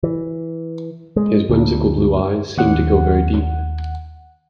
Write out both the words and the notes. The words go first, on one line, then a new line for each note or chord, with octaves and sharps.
His whimsical blue eyes seemed to go very deep.
E3
G#3
D2
D#2 F#5